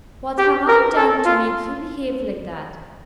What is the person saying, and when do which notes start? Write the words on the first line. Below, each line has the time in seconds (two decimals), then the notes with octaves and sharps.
'What have I done to make you behave like that?
0.38 G4
0.68 A#4
0.96 A4
1.25 F4